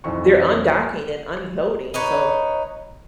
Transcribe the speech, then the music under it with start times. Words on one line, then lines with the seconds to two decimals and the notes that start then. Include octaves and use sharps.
they're undocking and unloading, so
0.04 B1 F2 E3 C4 C#6
1.94 D#4 B4 C#5